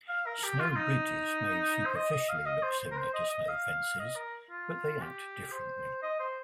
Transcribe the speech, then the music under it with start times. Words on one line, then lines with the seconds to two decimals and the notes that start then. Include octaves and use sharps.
Snow bridges may superficially look similar to snow fences, but they act differently.
0.09 F5
0.26 A#4
0.43 G4
0.59 F4
0.70 F4
0.76 D#4
1.86 C5
1.95 D#5
2.12 D#5
2.29 F5
2.46 D#5
2.63 C5
2.80 C5
2.91 A#4
2.97 C5
3.14 D#5
3.31 D#5
3.49 F5
3.99 D#5
4.16 A#4
4.50 F4
5.01 G4
5.52 C5
6.03 D#5
6.19 C5